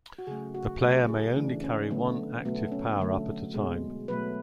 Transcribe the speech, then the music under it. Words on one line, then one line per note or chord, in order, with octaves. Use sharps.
The player may only carry one active power-up at a time.
F#4
C#3 F#3 A3 G#4
F#4
C#3 F#3 A3 F#4
G#4
C#3 E3 A3 D4
C#4
D3 F#3 A3 B3
B2 F#3 A3 B3
C#4
D3 F#3 A3
B2 G#3
B2 F#3 A3 B4